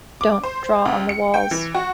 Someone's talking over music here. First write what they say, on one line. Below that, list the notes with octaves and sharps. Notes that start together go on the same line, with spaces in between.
Don't draw on the walls.
D6
C5
C#2
C#7
G5
E3
F#4